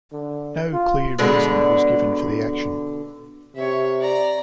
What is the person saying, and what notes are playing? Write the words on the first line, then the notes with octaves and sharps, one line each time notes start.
No clear reason was given for the action.
D3
F4
B2 D3 G#3
C3 C#5 E5
D5 A#5